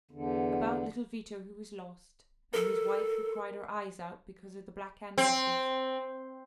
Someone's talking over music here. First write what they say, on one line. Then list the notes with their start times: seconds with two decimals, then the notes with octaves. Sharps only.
About little Vito who was lost, and his wife who cried her eyes out because of the Black Hand letters.
0.11 E2 D3
2.54 A4 A#4
5.18 C4